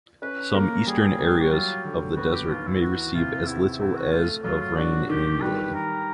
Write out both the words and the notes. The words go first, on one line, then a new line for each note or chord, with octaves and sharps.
Some eastern areas of the desert may receive as little as of rain annually.
C#4 B4
A#3 A#4
G3 G#4
G3
F#4
F#3 F4
D3
B3 F#4
G4
D#2 F4
E4
E3 F#4
C3 F4
E2 E4
E4
E2 E4
F#4
A3 F4
F#3 F4
F4
D4 F#4
D#3 G4
G3 B4
D#3 A#4